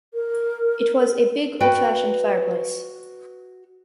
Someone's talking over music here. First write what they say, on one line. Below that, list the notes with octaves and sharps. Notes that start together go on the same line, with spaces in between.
It was a big old-fashioned fireplace.
A#4
F#4 B4 D5 G5